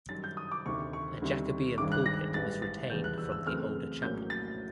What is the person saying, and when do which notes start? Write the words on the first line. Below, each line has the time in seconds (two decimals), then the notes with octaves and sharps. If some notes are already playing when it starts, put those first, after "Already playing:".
A Jacobean pulpit was retained from the older chapel.
0.09 F#2 D#3 G3 A6
0.24 G6
0.37 D#6
0.52 D6
0.66 D2 C3 D#3 C#6
0.93 C#6
1.22 D2 C3 D#3 G3 C4
1.78 G#1 G2 D#3 G#3 D6
1.92 F#6
2.06 A#6
2.34 A1 G#2 E3 G3 A6
2.62 A6
2.90 E1 D#2 C#3 E3 G3 G6
3.04 F#6
3.18 E6
3.32 E6
3.46 F#2 C#3 E3 A3 C4 F6
4.02 A#1 A2 F#3 A#3 C#4 G6
4.30 A6